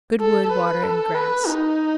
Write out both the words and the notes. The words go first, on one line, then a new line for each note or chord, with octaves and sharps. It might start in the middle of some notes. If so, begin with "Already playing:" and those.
Good wood, water, and grass.
A4
B4
A4
B4
D#4